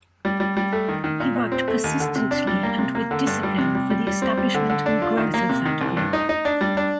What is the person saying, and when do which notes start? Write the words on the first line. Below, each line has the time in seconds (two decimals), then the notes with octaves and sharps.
He worked persistently and with discipline for the establishment and growth of that group.
0.25 G3
0.40 G3
0.57 G3
0.73 A3
0.88 D#3
1.04 D#3
1.20 A#2
1.36 A#2
1.52 C4
1.68 A3
1.84 D#2
2.00 D3
2.16 C3
2.31 D4
2.47 G3
2.63 A#3
2.79 C3
2.95 A#3
3.11 D3
3.27 G2
3.43 G3
3.58 C3
3.75 G3
3.90 G3
4.07 G3
4.22 C4
4.37 G3
4.54 D3
4.70 D3
4.86 D4
5.02 F4
5.17 D#3
5.34 A#3
5.49 C3
5.65 D#3
5.81 C2
5.97 G2
6.13 D#4
6.29 D#4
6.45 D4
6.61 G3
6.77 D4